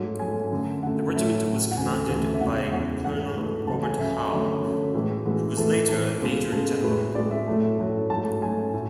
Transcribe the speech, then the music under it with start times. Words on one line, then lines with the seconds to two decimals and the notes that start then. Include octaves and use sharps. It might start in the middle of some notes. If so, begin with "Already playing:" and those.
The regiment was commanded by Colonel Robert Howe, who was later a major general.
Already playing: G#2 F#3 A3
0.19 G#2 F#3 A3 G#5
0.51 F#2 D3 A3
0.83 F#2 D3 A3 F#5
1.14 A2 F#3 A3 E5
1.46 A2 F#3 A3
1.71 F#5
1.77 D2 C#3 E3 A3 G#5
2.09 D2 C#3 E3 A3
2.34 E5
2.41 E2 C#3 G#3 F#5
2.72 E2 C#3 G#3 F#5
3.04 G#2 E3 A3 F#5
3.36 G#2 E3 A3
3.67 C#2 C#3 F#3 A3 A5
3.83 G#5
3.99 C#2 C#3 F#3 A3 E5
4.31 F#2 D3 F#3 A3
4.62 F#2 D3 F#3 A3
4.94 A2 E3 G#3
5.25 A2 E3 G#3 F#4
5.57 A2 E3 A3 A4
5.89 A2 E3 A3 A4
6.20 C#2 B2 G#3
6.52 C#2 B2 G#3 A4
6.83 A2 G#3 B4
7.15 A2 G#3 D5
7.31 E5
7.47 A2 F#3 A3
7.78 A2 F#3 A3
8.10 G#2 F#3 A3 A5
8.42 G#2 F#3 A3 G#5
8.74 A2